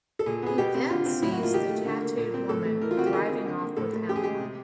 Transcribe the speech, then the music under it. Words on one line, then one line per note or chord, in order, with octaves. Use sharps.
He then sees the tattooed woman driving off with Alma.
A4
A#2 G#4
B3 G#4
B2 G4
C4
D3 F4
C4
A2 E4
F#4
A#3
F4
D#3 G4
A3
D3
A#3
A#2
C4
A2 A4
A3
E3 A#4
F4
C4 F#4
G4
D#3 G#4
C4
D3
A#3
A2 A4
A3
C#3 G4
G#4
G#3 G4
C3